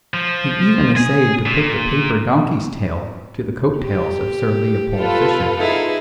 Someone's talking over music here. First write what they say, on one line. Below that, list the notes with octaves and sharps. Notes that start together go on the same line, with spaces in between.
He even essayed to put the paper donkey's tail to the coat-tails of Sir Leopold Fischer.
F3
G#4
A#2
G4
F4 A4 B4
D#4 E4 G#4